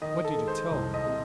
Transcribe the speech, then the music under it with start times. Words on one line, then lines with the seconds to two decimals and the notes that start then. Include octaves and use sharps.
"What did you tell him?"
0.01 D#3 D#5
0.25 A4
0.37 G#3
0.48 C5
0.71 C2
0.94 D#5
1.06 C3